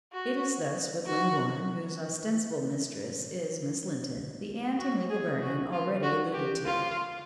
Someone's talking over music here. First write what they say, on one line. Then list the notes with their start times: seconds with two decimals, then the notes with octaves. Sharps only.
It is thus with Llangorren, whose ostensible mistress is Miss Linton, the aunt and legal guardian already alluded to.
0.13 F#4
1.07 F#4
4.78 F#4
5.10 G#4
5.42 F#4
5.73 F4
6.03 F#4
6.34 G4
6.65 F4